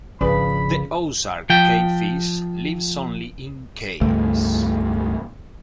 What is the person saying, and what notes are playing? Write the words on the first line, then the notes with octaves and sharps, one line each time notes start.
The Ozark cavefish lives only in caves.
G#1 C#3 F3 D4 B4 D5 B5
F3 G5
C#2 G2 A3